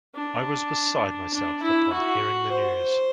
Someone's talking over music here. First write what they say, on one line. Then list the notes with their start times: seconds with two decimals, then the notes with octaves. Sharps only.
I was beside myself upon hearing the news.
0.15 D4
1.34 D4
1.62 E4
1.93 F#4
2.51 C5